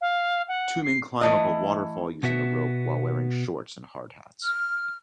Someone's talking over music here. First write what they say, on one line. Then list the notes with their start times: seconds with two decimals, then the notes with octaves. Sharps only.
Two men climb up a waterfall using a rope while wearing shorts and hard hats.
0.01 F5
0.48 F#5
0.84 C7
1.21 E3 A3 D#5
2.23 B2 B3 F#4 E5
4.42 F6